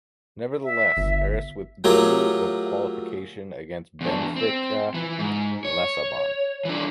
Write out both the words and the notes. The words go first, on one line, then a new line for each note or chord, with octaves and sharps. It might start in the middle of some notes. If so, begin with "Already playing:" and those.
Nevertheless, Aris withdrew in the qualification against Benfica Lissabon.
E5
G1
F#3 A3 F4 G4 G#4 A#4
E2 D4
C4
E3
G#2
C#5
E3 D4